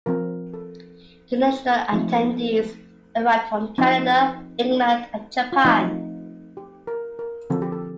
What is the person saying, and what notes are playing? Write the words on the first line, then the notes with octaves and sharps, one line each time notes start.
International attendees arrived from Canada, England and Japan.
F3 C4 A#4
A4
F3 A3 C4 D#4
F3 C4 D#4
D4
F4
F3 A3 C4 D#4
G4
A#4
A#4
D3 F3 C4 A4
G4
A4